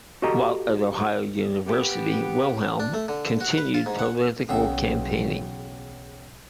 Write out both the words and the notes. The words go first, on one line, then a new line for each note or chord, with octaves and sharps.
While at Ohio University, Wilhelm continued political campaigning.
F#4 G4 A4 D#5 G5 A#5
B3 G4
D4
A3
D3
F#4
B4
F4
G#2
F#5
B1 E2 C#3 E5 F#5 G5